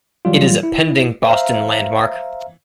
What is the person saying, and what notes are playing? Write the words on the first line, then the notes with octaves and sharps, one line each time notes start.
It is a pending Boston Landmark.
E3 F#3 G3 F4
E4
C5 E5 F5 A#5